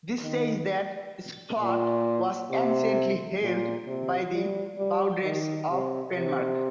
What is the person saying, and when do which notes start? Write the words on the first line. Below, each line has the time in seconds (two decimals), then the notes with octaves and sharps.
This says that Splott was anciently held by the Bawdrips of Penmark.
0.22 D#3
1.59 A#2
2.50 C3
3.42 A#2
3.87 C3
4.32 G3
4.78 G3
5.24 D#3
5.69 C3
6.14 C3